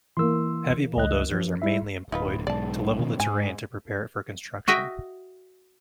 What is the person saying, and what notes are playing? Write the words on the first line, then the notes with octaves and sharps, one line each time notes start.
Heavy bulldozers are mainly employed to level the terrain to prepare it for construction.
E3 A#3 C6 E6
C#2 D#5 F#6
F3
G3 E4 E5
D1 D#4 F4 B4
B1 G#2 D5 A5
B2 D#3 F3
G#2 G#5
F#4 D#5 E5 G5